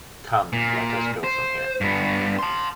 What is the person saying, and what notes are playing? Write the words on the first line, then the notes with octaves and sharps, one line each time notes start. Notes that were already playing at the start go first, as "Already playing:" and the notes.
Come, let us go from here!
A#2
C5
G2 B3
A5 C6